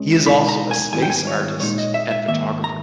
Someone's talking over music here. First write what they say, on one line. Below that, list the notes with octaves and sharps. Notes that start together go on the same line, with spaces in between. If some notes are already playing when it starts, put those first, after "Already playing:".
He is also a space artist and photographer.
Already playing: C#2 C#3
B2 G#3 D#4 B5
A#5
G#5
G#2 D#3 G3 B3 E4 G#5
G5
G#5
C#5
A#2 G#3 D#4 C#5
D#5
E5
E5
G#2 D#3 A#3 E5
A#5